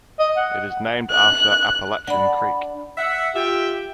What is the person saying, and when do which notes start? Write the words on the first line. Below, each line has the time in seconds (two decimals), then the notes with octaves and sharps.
It is named after Apalachin Creek.
0.19 D#5
0.36 F#5
1.10 F#6
2.08 D4 F#5 B5
2.97 E5 F#5
3.34 F4 G4 E5 G5